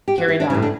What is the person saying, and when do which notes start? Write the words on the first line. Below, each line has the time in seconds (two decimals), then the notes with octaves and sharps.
Carried off?
0.08 G4
0.18 F#4
0.28 E4
0.40 D4
0.50 A2 C#3 E3 G3 C#4
0.62 D3 D4